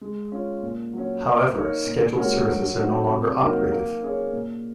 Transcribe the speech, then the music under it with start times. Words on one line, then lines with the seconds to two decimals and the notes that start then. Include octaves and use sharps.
However, scheduled services are no longer operated.
0.01 G#3
0.32 C#4 F4
0.63 A#2
0.93 F#3 C#4
1.24 A#3
1.55 D#4 A#4 C#5
1.86 A#2
2.16 G#3 C#4 F#4 A#4
2.49 F#3
2.79 C4 D#4 F#4
3.10 C3
3.41 F#3 A#3 D#4 A#4
3.72 A#3
4.02 C#4 G#4 C#5
4.33 A#2